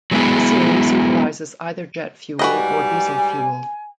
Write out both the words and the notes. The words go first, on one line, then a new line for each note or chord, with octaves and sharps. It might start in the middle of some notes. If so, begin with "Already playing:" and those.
The series utilizes either jet fuel or diesel fuel.
F#3 G#3 A3 B3 E4 G#4
G#2 G3 F#4 B4 D#5 G#5